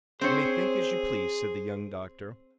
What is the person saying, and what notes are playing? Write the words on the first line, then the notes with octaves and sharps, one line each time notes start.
"You may think as you please," said the young doctor.
C4 G#4 C5 C#5